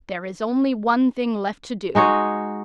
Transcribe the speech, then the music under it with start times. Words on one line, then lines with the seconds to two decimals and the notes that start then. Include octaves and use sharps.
"There is only one thing left to do."
1.95 G#3 D#4 F#4 C#5